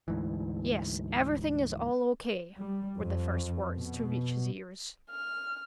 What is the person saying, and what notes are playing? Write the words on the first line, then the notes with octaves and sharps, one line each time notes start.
"Yes, everything is all okay," were the first words to reach his ears.
D2 G#2 E3
G3
F2
B2
F6